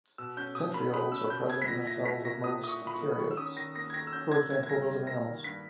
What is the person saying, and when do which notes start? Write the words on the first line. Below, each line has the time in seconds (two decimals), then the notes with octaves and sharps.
Centrioles are present in the cells of most eukaryotes, for example those of animals.
0.18 B2 E6
0.37 C#4 G6
0.55 B2 D#6
0.74 A#3 B5
0.93 B2 B5
1.12 C#4 E6
1.30 B2 G6
1.50 A#3 G#6
1.62 B6
1.68 A#2 A#6
1.87 E4 A#6
2.06 A#2 B6
2.25 A#3 A#6
2.44 A#2 D#6
2.63 E4 D#6
2.69 C#6
2.82 A#2
2.87 B5
2.94 C#6
3.00 A#3
3.19 D#3 C#6
3.31 E6
3.37 C#4 D#6
3.56 D#3 A#6
3.75 A#3 A#6
3.90 G#6
3.93 D#3 A#6
4.07 E6
4.13 C#4 G6
4.32 D#3 G#6
4.50 A#3 G#6
4.63 G#6
4.69 G2 A#6
4.88 G3
5.07 A#3 A#6
5.25 D#3
5.44 G2 B6